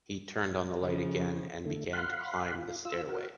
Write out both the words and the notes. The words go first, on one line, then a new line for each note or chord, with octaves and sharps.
He turned on the light again and began to climb the stairway.
C#3 F3
D3 A3
F5 F#5 B5 C6
F4
F4 E6
F#4 A#4